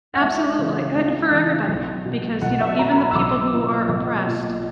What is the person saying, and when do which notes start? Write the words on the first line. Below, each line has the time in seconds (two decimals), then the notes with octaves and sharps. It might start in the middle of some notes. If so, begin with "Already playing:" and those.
Absolutely. And for everybody, because, you know, even the people who are oppressed,
0.14 F#5
0.21 C#2 E5
0.58 C#3 E3
0.95 C#2
1.31 C#3 E3
1.68 B1
2.05 B2
2.41 B1 F#5
2.61 E5
2.79 B2 A#5
2.97 B5
3.11 E6
3.15 B1 D6
3.53 A#2
3.89 B1
4.27 A#2